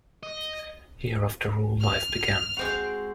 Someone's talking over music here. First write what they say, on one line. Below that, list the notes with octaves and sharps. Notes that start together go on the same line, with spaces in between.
Here, after all, life began.
D#5
F6
G#3 C4 F#4